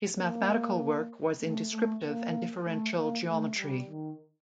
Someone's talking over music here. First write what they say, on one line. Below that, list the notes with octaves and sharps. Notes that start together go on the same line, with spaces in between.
His mathematical work was in descriptive and differential geometry.
A#3
A3
A3
A#3
A3
A#3
A3
G3
D#3